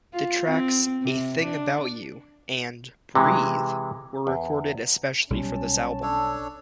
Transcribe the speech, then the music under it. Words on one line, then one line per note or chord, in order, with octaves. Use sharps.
The tracks "A Thing About You" and "Breathe" were recorded especially for this album.
F4
C4
C3
D4
C3 E3 G#3
E2
B1 G3 C#4 A5
D4 A4 C#5